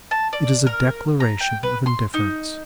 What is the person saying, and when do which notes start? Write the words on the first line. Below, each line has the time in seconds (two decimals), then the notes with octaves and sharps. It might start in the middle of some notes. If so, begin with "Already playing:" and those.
It is a declaration of indifference.
0.11 A5
0.33 D5
0.67 A#4
1.20 A#5
1.41 G5
1.63 B4
1.86 C6
2.14 D#4